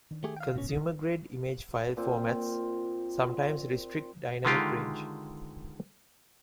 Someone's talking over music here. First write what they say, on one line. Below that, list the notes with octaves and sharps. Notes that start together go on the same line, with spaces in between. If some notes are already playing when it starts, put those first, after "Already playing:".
Consumer-grade image file formats sometimes restrict dynamic range.
D#3 D4
A3 G4 G#4
F5 G5
A2 C#3 B3 C#4
B2 D#3
A#2 C4
D3 D#3 G#3 F4 G4